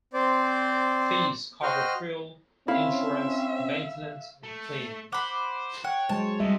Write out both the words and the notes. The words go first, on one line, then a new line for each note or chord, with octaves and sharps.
Fees cover fuel, insurance, maintenance, and cleaning.
C4 C5 D5
F#4 C5 D#5 G5 F6
C4 C#4 E4 E5 F5
A3
C5 F#5 B5 D6
C#5 F#5 G5
F#3 G#3 C5 A5
F2 C3 G3 D#5 E5